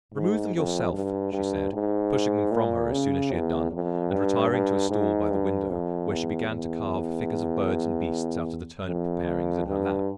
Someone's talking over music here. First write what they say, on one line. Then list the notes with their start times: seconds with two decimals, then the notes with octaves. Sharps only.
'Remove them yourself,' she said, pushing them from her as soon as she had done; and retiring to a stool by the window, where she began to carve figures of birds and beasts out of the turnip-parings in her lap.
0.14 G#2
0.54 F2
0.93 G2
1.33 G2
1.73 G#2
2.52 A#2
2.91 C#3
3.32 E2
3.72 F2
4.11 G2
4.51 G2
4.90 G#2
5.30 G2
5.70 F2
6.10 E2
6.49 E2
8.87 F2
9.67 G2